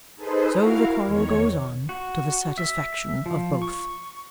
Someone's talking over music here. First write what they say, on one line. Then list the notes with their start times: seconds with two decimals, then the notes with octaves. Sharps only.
So the quarrel goes on to the satisfaction of both.
0.16 D#4 G#4 A4 B4 C5
0.53 E4 F#4 A#4 F5
1.04 E2 D#3 C#5
1.89 F#4
2.58 E5
3.26 F3
3.62 C#6